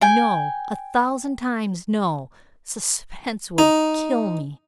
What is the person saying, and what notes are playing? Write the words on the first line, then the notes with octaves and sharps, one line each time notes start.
"No!--a thousand times no! Suspense would kill me!"
G5 G#5
D#4